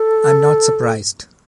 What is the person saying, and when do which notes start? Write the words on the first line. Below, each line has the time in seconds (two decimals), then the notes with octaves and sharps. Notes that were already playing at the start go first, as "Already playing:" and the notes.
I’m not surprised!
Already playing: A4